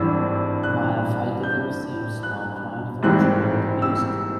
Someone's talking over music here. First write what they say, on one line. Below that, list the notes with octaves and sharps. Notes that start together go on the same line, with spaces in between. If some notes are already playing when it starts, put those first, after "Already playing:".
Miaphysitism seemed now triumphant throughout the East.
Already playing: G#1 G2 E3 E6
F#6
G6
F#6
G#1 G#2 E3 G3 C4 F#6
E6